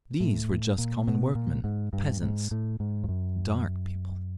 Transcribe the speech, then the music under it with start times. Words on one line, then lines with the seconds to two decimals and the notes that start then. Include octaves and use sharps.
These were just common workmen, peasants, "Dark People."...
0.20 A2
0.78 A#2
1.08 B2
1.35 A#2
1.64 G#2
1.93 G2
2.21 G#2
2.51 A2
2.80 G#2
3.04 F2
3.08 F#2